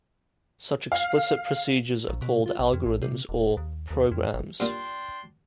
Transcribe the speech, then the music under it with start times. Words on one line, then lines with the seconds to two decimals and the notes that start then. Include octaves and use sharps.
Such explicit procedures are called algorithms or "programs".
0.92 F5
2.08 A#1
2.22 B2
2.46 F4
2.59 A#1
2.73 F2
2.86 A1
3.02 C3
3.29 D#1
3.57 D#2
3.91 D#2
4.12 F2
4.34 G1
4.60 G2 A#2 D4 G5 C6